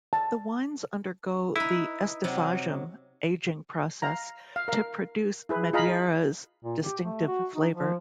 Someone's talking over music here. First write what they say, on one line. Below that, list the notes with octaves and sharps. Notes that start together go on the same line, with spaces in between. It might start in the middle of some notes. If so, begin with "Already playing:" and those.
The wines undergo the "estufagem" aging process to produce Madeira's distinctive flavor.
A5
D#4 E4 B4
C3 F#3
F5 A#5
F5
A#4 F5
E4 G#4 B4
F4 G#4 D#5 F5 A#5 B5
A#2
G4
A3
F#4
D#4
F3